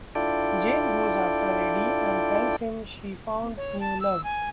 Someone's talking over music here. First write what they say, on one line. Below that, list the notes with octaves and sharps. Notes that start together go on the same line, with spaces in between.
Jane goes after Eddie and tells him she found new love.
D4 E4 F4 A4 D5 G5
C#5
A5
E6
G#5